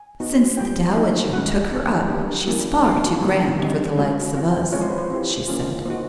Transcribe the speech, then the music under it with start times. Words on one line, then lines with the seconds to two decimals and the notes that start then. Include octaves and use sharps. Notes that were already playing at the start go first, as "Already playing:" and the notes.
"Since the Dowager took her up she's far too grand for the likes of us," she said.
Already playing: G#5
0.20 B3 D#4 F#4
0.57 G3 C4 F4 G5
0.96 G3 A#3 D#4 F#4
1.33 G#3 C#4 F#4 F#5
1.71 G3 B3 D4
2.08 A#3 D4 G4
2.47 G3 A#3 C#4 E4
2.84 B3 D4 F#4 F5
3.22 G3 A#3 D4
3.59 C4 D#4 G4
3.98 G#3 C#4 F#4 C#5
4.35 C4 F4
4.72 G#3 C4 F4 C#5
4.81 C5
4.90 B4
4.98 C5
5.11 C4 E4 G4
5.48 A#3 C#4 F4
5.85 A#3 D#4 F#4 C5